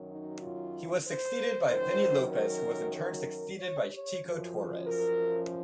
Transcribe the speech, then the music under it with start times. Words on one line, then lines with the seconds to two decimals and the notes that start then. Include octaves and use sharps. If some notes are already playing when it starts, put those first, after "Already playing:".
He was succeeded by Vini Lopez who was in turn succeeded by Tico Torres.
Already playing: F#2 D#3 F#3
0.11 D#4
0.43 F4
1.06 C5
1.70 F#2 D#3 F#3 C5
2.33 A#4
2.96 A#4
3.59 C#5
3.91 C#5
4.23 F#2 F3
4.87 A#4